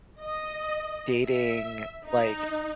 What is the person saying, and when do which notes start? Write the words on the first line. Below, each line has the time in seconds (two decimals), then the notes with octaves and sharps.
dating, like
0.19 D#5
1.25 E5
2.05 D#4